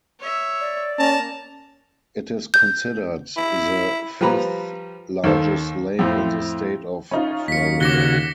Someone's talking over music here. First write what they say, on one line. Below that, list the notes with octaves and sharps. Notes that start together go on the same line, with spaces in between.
It is considered the fifth largest lake in the state of Florida.
C#5 E5
D5
A#3 C#4 A5 A#5
G6
E4
F3 G3 B4 A#5 B5
D#2 D#3 A4 C5
F2 A2 C4
C#4 D#4 F4
D#2 B6 C#7
C#3 F#4 D6 A#6 G7